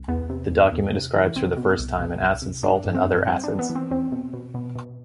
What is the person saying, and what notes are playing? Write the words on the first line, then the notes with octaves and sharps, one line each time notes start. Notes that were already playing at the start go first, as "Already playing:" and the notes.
The document describes, for the first time, an acid salt and other acids.
Already playing: C2
E2 B3
C3
E2
E2
C3
E3
C2 C4
B2
C2
B2
C2
C2
G2 D4
G2
C4
G2
G2 C4
D4
E3
B3
E3
C4
E2 C4
B2
B2
B2
B2